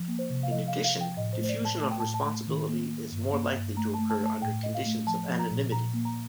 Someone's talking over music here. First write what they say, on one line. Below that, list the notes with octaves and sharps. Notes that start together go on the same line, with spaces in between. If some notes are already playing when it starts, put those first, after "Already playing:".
In addition, diffusion of responsibility is more likely to occur under conditions of anonymity.
Already playing: F3
A#3
C5
C3
F5
F3 D#5
F5
F3
F5
F3 G5
A2 D#5
C5
A3
C5
D5
A2 A5
A3 A5
G5
A2 A5
A5
A3
D#3
A#3
A#3
G2
A#3
G2
A3 A#5
A3 A5
A5
A3 A5
A2 G5
A3 D#5
F5
A3
F3 A5
F3
A#5
A#2
A#2 A#5
A#3
A#5